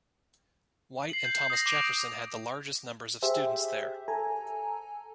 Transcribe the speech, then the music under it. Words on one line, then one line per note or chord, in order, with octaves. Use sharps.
White and Thomas Jefferson had the largest numbers of students there.
C7 F#7
G6
D#6 A#6
D6 D7 F7
G4 G#4 C5 E5
A4 G#5 A#5